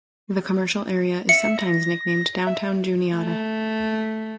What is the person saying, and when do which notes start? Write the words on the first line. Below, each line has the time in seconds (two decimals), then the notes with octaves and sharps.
The commercial area is sometimes nicknamed downtown Juniata.
1.29 E5 C#7
1.58 A#6
2.47 E5
3.15 A3